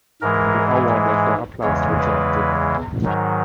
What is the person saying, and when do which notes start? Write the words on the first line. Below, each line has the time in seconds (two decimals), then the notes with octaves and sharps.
The award therefore applies retroactively.
0.21 G#2 E3 G#3 A#4
1.63 E2 C#3 E3 G#3 C#5
1.99 B4
3.05 G#2 D#3 F#3